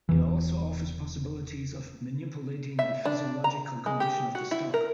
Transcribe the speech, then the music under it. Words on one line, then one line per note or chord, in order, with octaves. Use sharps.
It also offers possibilities of manipulating the physiological condition of the stock.
E1 E2 E3
E5
D4
A#5
G#3
G4
F#4
E4
A#4